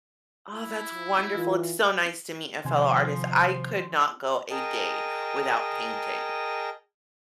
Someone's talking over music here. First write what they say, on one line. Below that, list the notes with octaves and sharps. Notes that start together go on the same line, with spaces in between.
Oh, that's wonderful! It's so nice to meet a fellow artist. I could not go a day without painting.
E4
E3 F4
C3 D#3 F3 C5 G#5
G#4 A#4 D#5 G5 A5